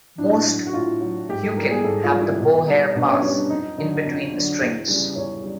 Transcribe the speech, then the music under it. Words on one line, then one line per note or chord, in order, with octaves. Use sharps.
Most huqin have the bow hair pass in between the strings.
A2 D4
F#3
F#4
A2 F4
F#3
G#2 G4
A4
E3 G3 A#4
G#4
G#2 A4
F4
E3 G3
E4
B2
G3 D#4
B2 D4
C#4
G3 C#4
D4
F2 D#4
D3 F#3 D#4
F2
D3 F#3
E2
C#3 E3 G3
E2 C#4
G3